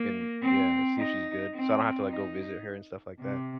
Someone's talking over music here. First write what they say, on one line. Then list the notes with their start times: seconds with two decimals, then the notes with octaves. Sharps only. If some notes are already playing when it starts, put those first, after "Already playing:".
and, yeah, see if she's good. So I don't have to, like, go visit her and stuff like that.
Already playing: A#3
0.43 C4
0.98 D#4
1.54 C4
2.10 D#4
3.20 C3